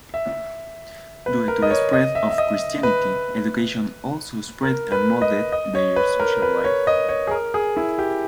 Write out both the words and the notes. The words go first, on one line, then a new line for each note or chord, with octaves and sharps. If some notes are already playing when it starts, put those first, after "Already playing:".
Due to the spread of Christianity, education also spread and molded their social life.
E5
B4
A#4
D#5
C#5
D#5
E5
E5
D#5
B4
A#4
B4
D#5
D#5
C#5
B4
A#4
B4
C#5
D#5
C#5
G#4
A#4
G#4
E4
G4